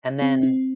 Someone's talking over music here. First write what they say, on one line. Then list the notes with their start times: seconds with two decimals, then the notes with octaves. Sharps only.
And then
0.22 C4
0.43 C4